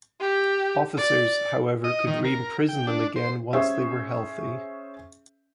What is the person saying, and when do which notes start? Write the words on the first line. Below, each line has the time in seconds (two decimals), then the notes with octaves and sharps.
Officers, however, could re-imprison them again once they were healthy.
0.20 G4
0.97 D5
1.84 D#5
2.07 D#3
2.24 A#4
2.69 G5
2.87 D4
3.16 C5
3.53 C#4 G#4 C5 C#5 E5